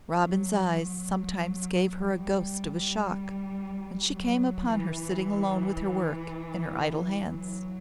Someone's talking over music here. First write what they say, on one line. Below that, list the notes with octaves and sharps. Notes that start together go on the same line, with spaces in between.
Robin's eyes sometimes gave her a ghost of a shock when she came upon her sitting alone with her work in her idle hands.
F#3
F#3
G3
G3
F#3
E3
F#3